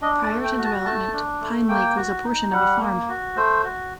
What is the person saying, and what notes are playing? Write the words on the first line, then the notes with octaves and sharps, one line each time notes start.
Prior to development, Pine Lake was a portion of a farm.
D4 D#5
D5
A3
G5
F#4
A5
A3 A5
D4
A3
A#3 G5
F#4
D#4
G3 F#5
A#3
F#4
A3 C5
F#4